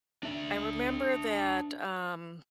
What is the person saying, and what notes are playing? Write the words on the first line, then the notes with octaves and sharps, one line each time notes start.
I remember that, um
D4 E5